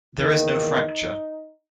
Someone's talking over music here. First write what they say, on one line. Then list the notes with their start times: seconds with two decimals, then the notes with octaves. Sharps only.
There is no fracture.
0.19 E2 D#3 A#3 D#4
0.67 D#4